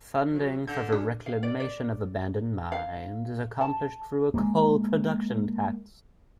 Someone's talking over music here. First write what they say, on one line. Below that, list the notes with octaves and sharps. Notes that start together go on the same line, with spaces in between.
Funding for the reclamation of abandoned mines is accomplished through a coal production tax.
F#3
D3 G6
F#2 D4
F5
D5
D5
F5
A5
G#3 A#3